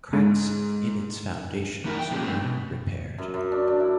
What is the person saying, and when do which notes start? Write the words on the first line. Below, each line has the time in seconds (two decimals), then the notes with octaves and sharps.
Cracks in its foundations were repaired.
0.13 G#2
1.84 E3 A3 D#4 E4 A#4
1.99 G5
2.11 A#2 F3 G#3 B3 C#4 G4
2.24 A3 C4 D#4
2.44 B2
3.18 F#2
3.34 F#2
3.52 D4
3.67 D4
3.80 E4